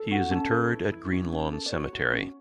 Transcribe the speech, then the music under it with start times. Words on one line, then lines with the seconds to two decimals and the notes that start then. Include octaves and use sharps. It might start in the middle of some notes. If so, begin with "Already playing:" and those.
He is interred at Greenlawn Cemetery.
Already playing: A4
0.11 C#4 F#4 F#5
0.31 C#4 A4 A5
0.51 A4 B4
0.71 E4
0.92 E4
1.12 C#4
1.32 C#4
1.53 A4
1.66 D5
1.72 F#4 C#5
1.93 F#4
2.13 C#4